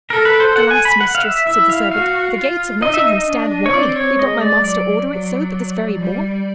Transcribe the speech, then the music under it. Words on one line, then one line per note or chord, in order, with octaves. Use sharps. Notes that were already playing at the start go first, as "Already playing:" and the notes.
"Alas, mistress," said the servant, "the gates of Nottingham stand wide; did not my master order it so but this very morn?"
A4 A#4
B4
C5
F#5
G#5
B5
F#5
F5
E5
E4 E5
F5
F#4 F5
F4
D#4 D#5
E5
D#5
D4
C#5
C4 D5
C#5
G#3 D#5
D5
F#3 D5
F#3
G3